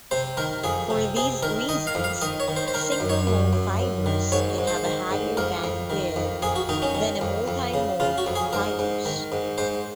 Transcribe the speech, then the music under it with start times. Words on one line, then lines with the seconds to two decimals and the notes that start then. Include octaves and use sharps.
For these reasons, single-mode fibers can have a higher bandwidth than multi-mode fibers.
0.11 C3 C5
0.37 D#3 A#4
0.64 F2 G#4
0.90 C3
1.16 C3 G#4
1.43 D#3 A#4
1.69 D#3 D#5
1.87 F5
1.95 F2
2.04 F5
2.21 D#3 D#5
2.40 C#5
2.48 D#3
2.56 C5
2.68 C5
2.74 D#3 A#4
2.92 C5
3.00 F#2
3.09 C#5
3.27 F#2
3.53 F#2
3.80 F#2
4.06 D#3
4.32 G#2 C#5
4.58 G#2
4.67 C5
4.85 D#3
5.11 G#2
5.37 F2 A#4
5.64 F2
5.90 D#3
6.16 F2
6.42 F2 G#4
6.56 F#4
6.69 D#3 D#4
6.82 C#4
6.95 D#3
7.21 F2
7.48 F2
7.74 C#3
8.00 C#3 F4
8.18 F#4
8.27 F2
8.35 G#4
8.53 G#2 A#4
8.79 G#2
9.05 D#3
9.32 G#2
9.58 G#2 C5